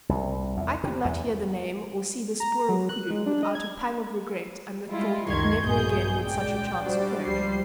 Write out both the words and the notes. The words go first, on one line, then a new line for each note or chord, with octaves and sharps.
I could not hear the name or see the spoor of koodoo without a pang of regret and the thought that never again would such a chance occur.
C2
E2
C3
E2
A#5
F#3
F#6
G#3
D4
D#5
G#6
G3 G#3 E4 F4
C#2 F#2 D#3 C6 C#6 G#6
A#1 G2 B2 G#4 G6
C#2 G#3 D5 G5
G3 D4 F#4 C5 D5
C#2 F3 G3 C5 C7